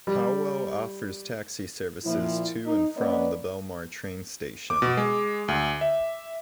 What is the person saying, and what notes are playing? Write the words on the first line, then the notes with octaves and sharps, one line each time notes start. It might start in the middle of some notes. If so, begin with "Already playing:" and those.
Howell offers taxi services to and from the Belmar train station.
G3
A#2 F3 E4
D#4
A#3 B3 C#4 B4 D5 D#5
D6
B2
G#3
D2
E5